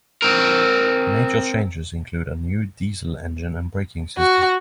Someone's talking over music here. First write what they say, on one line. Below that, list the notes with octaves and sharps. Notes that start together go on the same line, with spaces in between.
Major changes include a new diesel engine and braking system.
C4 A#4
F#4